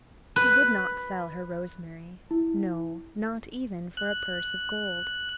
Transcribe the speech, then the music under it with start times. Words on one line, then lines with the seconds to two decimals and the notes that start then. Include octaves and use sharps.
She would not sell her rosemary; no, not even for a purse of gold.
0.36 B4
2.31 E4
3.97 F#6